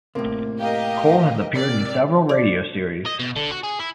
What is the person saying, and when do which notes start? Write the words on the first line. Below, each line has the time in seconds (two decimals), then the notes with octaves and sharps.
Cole has appeared in several radio series.
0.15 A2 C3 A#3
0.60 G4 A#4 D#5 F5
1.55 C3 A#4 D5
2.29 D5
3.06 D#5
3.19 B2
3.36 D3
3.51 F#4
3.63 G#4
3.79 E4